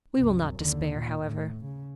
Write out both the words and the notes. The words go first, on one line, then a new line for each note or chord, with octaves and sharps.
We will not despair, however.
C2 F#2
D#2 D3
A#2
A2
C#3